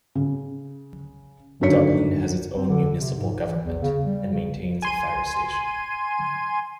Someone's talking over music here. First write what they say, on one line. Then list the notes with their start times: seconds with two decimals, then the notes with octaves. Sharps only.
Dublin has its own municipal government and maintains a fire station.
0.15 C#3
1.61 F#2 D3 D#3 C#5 B6 C#7
2.56 C4
2.69 D3
3.00 C3
3.17 G#2
3.47 E3
3.64 E2
3.82 C#3
4.04 G3
4.33 C#3
4.82 G#5 C6 D#7